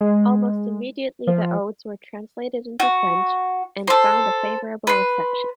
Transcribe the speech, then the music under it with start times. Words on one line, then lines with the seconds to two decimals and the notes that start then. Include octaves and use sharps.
Almost immediately the odes were translated into French, and found a favourable reception.
0.01 G#3
1.27 F3
2.80 F#4
3.87 A4 C5
4.87 B4 C6